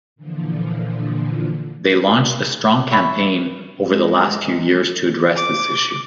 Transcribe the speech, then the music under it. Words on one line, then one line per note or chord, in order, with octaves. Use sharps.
They launched a strong campaign over the last few years to address this issue.
A#2 D3 E3 F3
C#5 E5 B5
G#3
D6